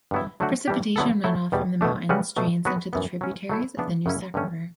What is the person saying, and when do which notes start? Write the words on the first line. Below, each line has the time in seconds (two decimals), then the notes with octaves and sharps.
Precipitation runoff from the mountain drains into tributaries of the Nooksack River.
0.11 G2 F#3 B3 E4
0.40 D3 F#3 A3 D4 F#4
0.68 E3 G3 D4 G4
0.96 D3 F#3 B3 E4 A4
1.24 F#3 A3 E4 A4
1.52 E2 B2 G3
1.81 B2 A3 D4
2.09 C#3 G3 C#4 F#4 B4
2.36 B2 F#3 A3
2.65 F#3 B3 F#4 B4
2.93 F#2 E3 B3
3.21 F#3 C#4 E4
3.49 F#3 A3 E4
3.77 C#3 E3 B3 D4
4.06 F#2 C#3 F#3 C#4 E4
4.34 G2 D3 A3 C#4